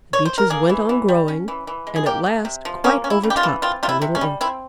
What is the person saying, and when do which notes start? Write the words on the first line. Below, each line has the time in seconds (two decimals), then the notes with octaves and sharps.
The Beeches went on growing, and at last quite overtopped the Little Oak.
0.13 C#5
0.25 C5
0.38 A#4
0.50 A#3 G#4
0.69 E3
0.89 E3
1.08 G3
1.28 C#4
1.48 E3
1.67 E3
1.87 G#3
1.96 G#4
2.06 A#3 G4
2.26 C3
2.45 C3
2.65 F3
2.84 A#3 C#4
3.04 C#4
3.10 E4
3.23 C#3
3.30 G4
3.37 F4
3.43 E3
3.62 C4 F4
3.83 C3 F4
3.89 E4
4.02 C3
4.15 C#4
4.21 G3
4.41 C4 E4